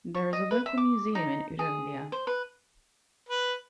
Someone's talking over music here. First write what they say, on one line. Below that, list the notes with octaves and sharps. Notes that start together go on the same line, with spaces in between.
There is a local museum in Udomlya.
C#6
D#5
B4
E5
D6
D#4
G#4
C5
B4
B4